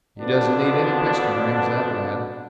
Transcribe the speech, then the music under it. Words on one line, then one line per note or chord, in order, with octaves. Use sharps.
He doesn't need any piston rings, that lad.
F2 B2 D3 B3 D4